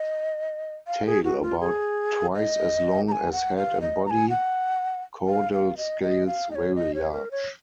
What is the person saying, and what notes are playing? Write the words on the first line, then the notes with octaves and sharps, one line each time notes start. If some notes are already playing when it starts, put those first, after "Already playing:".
Tail about twice as long as head and body; caudal scales very large.
Already playing: D#5
F5
G#4
F#4
F4
G#4
D#5
A#5
G#5
F#5
F5
D#5
A#5
G#5
F#5
F5
F5
D#5
D#5
F5
D#5
C#5
D#5
C#5
A#4
C#5